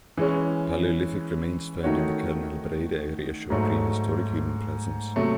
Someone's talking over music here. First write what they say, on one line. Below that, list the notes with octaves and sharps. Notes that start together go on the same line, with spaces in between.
Paleolithic remains found in the Can Albareda area show a prehistoric human presence.
E3 G#3 C#4
D#3 A3 D#4 F#4 C#5
G#2 F#3 A3
C3 F#3 A3